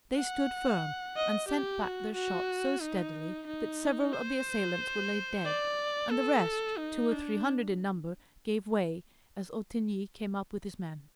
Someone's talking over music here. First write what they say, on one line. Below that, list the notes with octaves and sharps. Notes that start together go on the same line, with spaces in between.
They stood firm, and sent back their shot so steadily that several of the assailants were laid dead, and the rest, two or three hundred in number, gave way as Ottigny came up with his men.
F#5
D#5
G4
F#4
F#4
D#4
D#4
C5
D5
A4
D#4
D4